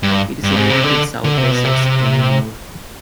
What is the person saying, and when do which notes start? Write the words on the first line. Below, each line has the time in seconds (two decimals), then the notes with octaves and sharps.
It is situated to the south west of Spennymoor.
0.03 G2
0.43 G2
0.57 G#2
0.70 C3
0.84 D3
1.24 D3
1.38 C3
1.51 B2
1.65 C3